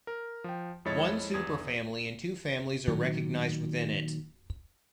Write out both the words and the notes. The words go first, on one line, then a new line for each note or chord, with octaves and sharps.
One superfamily and two families are recognised within it.
A#4
F3 G5
F2 G#3 E4 C#5 D#5 A6
G1 E2 D#6 G#6
A#2 D#3 F#3